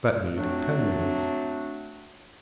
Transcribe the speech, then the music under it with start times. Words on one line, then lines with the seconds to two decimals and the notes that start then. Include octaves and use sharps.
That made ten minutes.
0.36 F#3 A3 C4 D4